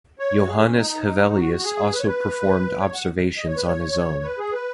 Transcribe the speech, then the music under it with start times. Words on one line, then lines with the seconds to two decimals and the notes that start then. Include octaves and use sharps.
Johannes Hevelius also performed observations on his own.
0.19 C#5
0.42 F#4
0.48 G#4
0.63 C#4
0.77 D#4
1.35 F#4
1.63 G#4
1.93 B4
2.00 C#5
2.07 B4
2.79 C#5
2.94 F#5
3.37 D#5
3.47 C#5
3.56 B4
3.66 C#5
4.24 B4
4.39 G#4
4.53 B4